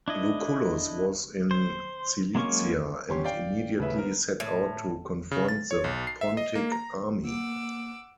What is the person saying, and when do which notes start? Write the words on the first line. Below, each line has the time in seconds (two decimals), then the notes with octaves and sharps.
Lucullus was in Cilicia and immediately set out to confront the Pontic army.
0.08 D4 E4 D#5
1.51 C5
2.35 F#3 G#3 A#3 C#4 C#6
3.09 G1 C#4 G4 C6
3.24 D5 F5 G5
3.79 D#1 C#3 A3 B4 E5
3.99 B3 A#4
4.40 A2
5.31 C#3
5.48 A6
5.71 C#5
5.84 B1
6.07 C7
6.21 E5
6.37 D#5
6.55 A#3
6.72 A#5
7.25 A#3 F#5 D6 E6